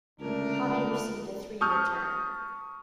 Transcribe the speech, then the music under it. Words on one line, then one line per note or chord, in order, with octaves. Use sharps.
Hobby received a three-year term.
C#2 D3 A3 D4 A#4
A5 C#6 D#6 F6 G6